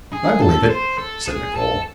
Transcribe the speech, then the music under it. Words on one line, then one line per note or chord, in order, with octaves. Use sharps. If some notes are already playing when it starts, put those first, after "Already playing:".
"I believe it," said Nicholl.
G#4
A4
C5
A4
G#4
A4